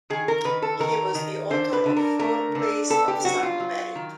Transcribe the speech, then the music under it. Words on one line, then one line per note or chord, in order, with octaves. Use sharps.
He was the author of four plays of some merit.
D#3 G#4
A#4
D#3 B4
A4
D#3 A#4
D#3
D3 C5
B4
D3
A#4
A3 A#4
D3
B3 A4
G4
F#3 F#4
F4
F#3
D#3